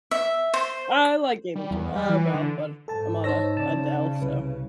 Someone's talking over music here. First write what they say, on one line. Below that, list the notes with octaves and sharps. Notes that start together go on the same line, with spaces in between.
I like gaming too, uh well, but I'm on a a Dell, so
E5
C5
G3
E2
G3
E3
D3
G#2 A4 A5
D#4 C5 C#5 A5 E6 A#6
C#3 D5 A5
C2 B4